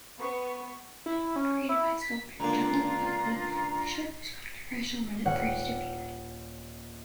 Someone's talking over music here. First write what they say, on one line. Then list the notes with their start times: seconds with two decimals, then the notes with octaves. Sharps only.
Created by sculptor John Buckley, the shark was controversial when it first appeared.
0.18 B3 C#6
1.06 E4
1.36 C#4
1.69 E4
2.01 B6
2.40 C#2 D3 A#3 D4 F4 A#5
5.25 D#1 C#5 F#5 G5